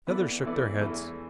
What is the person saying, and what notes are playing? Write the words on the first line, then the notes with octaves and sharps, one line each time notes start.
The others shook their heads.
E3 B3 E4 A4 D5
E3 B3 E4 A4 D5
E2 E3 A3